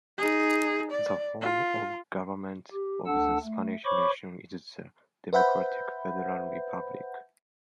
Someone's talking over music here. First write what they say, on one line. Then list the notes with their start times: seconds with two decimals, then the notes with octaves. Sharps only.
The form of government of the Spanish Nation is the Democratic Federal Republic.
0.18 D#4 G#4
0.91 D5
1.41 F4
2.73 G4
3.06 D2 D4 A4 F#5 A5 E6
3.42 A3
3.85 C5 C#5 B5 C#6 D6
5.33 B4 C5 E5 F#5 B5 G6